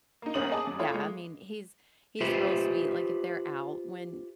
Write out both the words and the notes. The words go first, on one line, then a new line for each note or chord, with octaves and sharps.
Right, yeah, I mean, he's he's real sweet, like, if they're out when,
A#3 D#4
G1 A#3 C#4 D#6 F#7
G#4 D#5 G#5 A5 D6
F#2
A3 E4 F4 C#5
G#3
F4 G4 B4 C5 E5